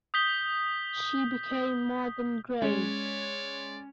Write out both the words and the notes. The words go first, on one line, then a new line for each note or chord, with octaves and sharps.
She became more than grave.
D#6 G6 B6 G7
G#3 C#4 C#5 D5